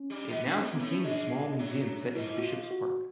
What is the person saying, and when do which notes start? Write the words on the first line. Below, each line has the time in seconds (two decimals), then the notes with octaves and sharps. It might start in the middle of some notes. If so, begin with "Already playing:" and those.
It now contains a small museum set in Bishop's Park.
Already playing: C#4
0.10 G2 G3
0.28 B2 B3
0.47 A3 D4
0.55 A#3
0.61 A3 C4
0.71 A#3
0.76 A2 A3 B3
0.89 C#4
1.03 G#2 G#3 D4
1.59 F#2 F#3
2.15 F2 F3 E4
2.38 F#4
2.43 F4
2.71 F#4